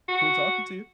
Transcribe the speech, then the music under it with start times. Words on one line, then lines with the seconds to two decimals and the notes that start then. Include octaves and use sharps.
cool talking to you.
0.08 F#4